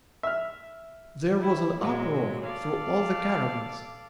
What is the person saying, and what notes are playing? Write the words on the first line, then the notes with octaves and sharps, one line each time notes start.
There was an uproar through all the caravans.
E5 F6
E4
A#2 F#3 G#3
A4 D5 F5